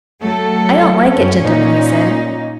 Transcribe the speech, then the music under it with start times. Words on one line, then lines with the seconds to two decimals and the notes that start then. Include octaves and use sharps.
'I don't like it, gentlemen,' he said.
0.22 F#3 A3 A4
1.12 F#2 C#4
1.42 A#2 C#4 D#4